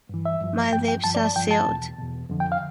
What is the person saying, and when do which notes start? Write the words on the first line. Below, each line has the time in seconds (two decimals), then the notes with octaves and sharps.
My lips are sealed.
0.09 G2 E3
0.25 E5
0.41 G2 F3
0.72 G2 F3 G5
0.88 G5
1.04 G2 F3 A5
1.15 D5
1.24 A5
1.35 G2 F3 G5
1.51 A5
1.67 E2 B2
1.98 E2 B2
2.30 F2 D3 F3
2.40 G5
2.52 F5